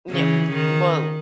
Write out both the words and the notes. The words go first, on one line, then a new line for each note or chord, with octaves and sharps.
Yeah we well,
C#3 E3
D#3